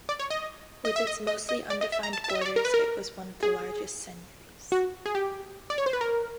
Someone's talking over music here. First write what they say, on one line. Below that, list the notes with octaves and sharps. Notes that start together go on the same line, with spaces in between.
With its mostly undefined borders, it was one of the largest seigneuries.
D5
C#5
D#5
D#5
E5
D#5
D#5
D#5
D5
D#5
E5
A#5
A5
A5
E5
D#5
C#5
D5
A#4
B4
A#4
G#4
F#4
G#4
G4
D5
C#5
C5
B4
A#4